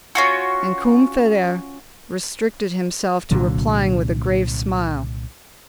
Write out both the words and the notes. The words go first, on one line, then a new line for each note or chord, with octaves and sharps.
And Combeferre restricted himself to replying with a grave smile.
C#4 F4 F#4
C2 A#2 D3 F#3